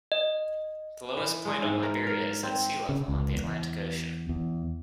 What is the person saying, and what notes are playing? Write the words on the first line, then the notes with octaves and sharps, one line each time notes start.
The lowest point on Liberia is at sea level on the Atlantic Ocean.
D#5
E3
G#3
G#2
A#4
A#4
C4
C#3
C#2
E2
E2